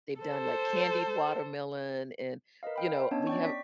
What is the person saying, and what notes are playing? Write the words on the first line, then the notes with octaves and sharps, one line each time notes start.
they've done, like, candied watermelon and, you know, we have
A4 C5
A#4 B4 D#5 F5
F5 G5 B5
B3 C#4 D4 C#5 D#5 A5
D5 G5 C#6
D5 B6